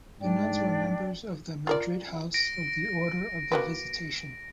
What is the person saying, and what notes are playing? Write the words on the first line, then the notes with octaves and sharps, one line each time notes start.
The nuns were members of the Madrid House of the Order of the Visitation.
G#2 D4 D5 G5
F4 A#4 D5
A#6 D7
A#3 F#4 B4